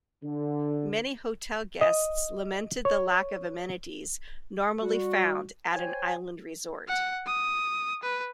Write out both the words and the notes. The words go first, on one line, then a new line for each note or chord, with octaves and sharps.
Many hotel guests lamented the lack of amenities normally found at an island resort.
D3
D#5
C#5
G3 F#4
C5 C#5 G5 G#5
F#5
D#6
B4